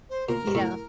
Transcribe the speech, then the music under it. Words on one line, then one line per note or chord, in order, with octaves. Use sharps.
You know?
C5
A#2 A#4
G2
A2